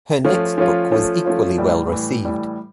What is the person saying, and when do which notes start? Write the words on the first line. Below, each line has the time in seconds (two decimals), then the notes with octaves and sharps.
Her next book was equally well received.
0.25 F3 A3 C#4 F4
0.58 F3 A3 C#4 F4
0.92 F3 A3 C#4 F4
1.25 F3 A3 C#4 F4
1.58 A2 E3 G3
1.92 A2 E3 G3
2.25 A2 E3 G3